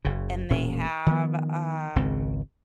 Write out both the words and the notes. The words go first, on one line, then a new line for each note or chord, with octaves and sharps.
And they have, um
F#1 C#3
E1 A#2 C#4
D#3 F3 B3
G#1 C#2 C#3 C4